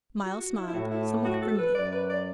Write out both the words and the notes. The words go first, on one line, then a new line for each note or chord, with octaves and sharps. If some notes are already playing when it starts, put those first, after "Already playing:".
Myles smiled somewhat grimly.
F#4
F#4
E4
E4
A2 F#4
E4
F#4
A4
B4
F#2 D5
B4
D5